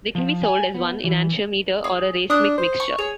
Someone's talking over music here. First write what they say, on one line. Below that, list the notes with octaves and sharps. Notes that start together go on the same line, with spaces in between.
They can be sold as one enantiomer or as a racemic mixture.
F3
G#5
B3
E3
G#4
D4 D#6 F#6
C5
C#6
G#4 C#5